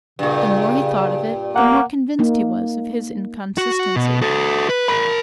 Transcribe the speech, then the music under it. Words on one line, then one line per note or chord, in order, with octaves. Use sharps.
The more he thought of it the more convinced he was of his inconsistency.
G2 A#2 C#3
A#3 F#5
A#3 D#4
F#4
B2
F#4 A4
B4
A#4 B5